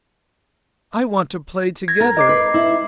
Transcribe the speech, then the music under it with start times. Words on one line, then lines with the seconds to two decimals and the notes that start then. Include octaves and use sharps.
I want to play together.
1.88 G#6 A#6
2.01 A#4
2.17 D#5 D6 C7
2.29 B4
2.54 E4